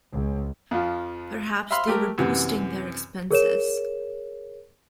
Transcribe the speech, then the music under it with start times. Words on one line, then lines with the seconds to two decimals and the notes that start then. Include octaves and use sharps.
Perhaps they were boosting their expenses.
0.11 C#2
0.71 F2 F3
1.71 E5 F5 B5 C6 F6
1.87 A3 G4 A#4
2.18 F#2 C3 E3
3.31 G#4 A#4 C#5 E7